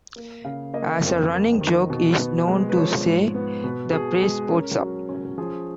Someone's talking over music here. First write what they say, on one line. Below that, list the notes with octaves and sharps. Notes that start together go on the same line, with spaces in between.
As a running joke, he is known to say the phrase Sports Up!
A#3
C#3 F5
A#3 D#5
F2
A#3
D#3
B2
B3
G#3
B4
F3 C#5
G#2
B3
B2 B4
B2 G#4
G#3 G#4
C#4 A#4
F#3
C#4
F3 G#4